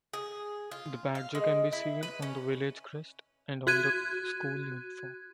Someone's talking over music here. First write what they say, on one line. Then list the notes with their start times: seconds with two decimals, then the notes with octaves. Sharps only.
The badger can be seen on the village crest and on the school uniform.
0.13 G#4
0.71 F4
1.15 F5
1.35 G#3
1.73 E4
2.03 B4
2.22 C#4
3.67 F#4 F#6 G#6 D#7